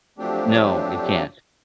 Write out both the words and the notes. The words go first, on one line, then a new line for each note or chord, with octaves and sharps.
No, it can't.
F3 F#3 A3 C4 D4 G4